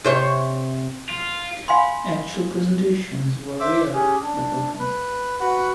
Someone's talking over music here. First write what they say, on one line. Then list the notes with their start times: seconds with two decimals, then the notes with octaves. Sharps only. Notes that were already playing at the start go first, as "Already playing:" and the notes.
Actual presentations were rare but welcome.
0.04 C3 C5 C#5
1.09 F4
1.68 F5 G#5 B5 C6
3.60 C5 E5 D6 E6
3.93 C#4 G4 G#4
4.22 D4
4.79 B4
5.40 F#4 B4 F#5